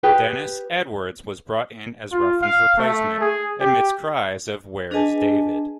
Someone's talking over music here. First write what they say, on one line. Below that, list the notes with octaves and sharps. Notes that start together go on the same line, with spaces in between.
Dennis Edwards was brought in as Ruffin's replacement, amidst cries of Where's David?
G4 G#4 B4
F4
F5
A3
G#4
G4
D4 G#4 B4 D#5 G#5 A5